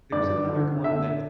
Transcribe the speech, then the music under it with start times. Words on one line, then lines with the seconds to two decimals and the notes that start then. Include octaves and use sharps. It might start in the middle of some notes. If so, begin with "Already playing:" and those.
There's another one that's
0.12 G2 D5
0.49 D3
0.84 D3 E5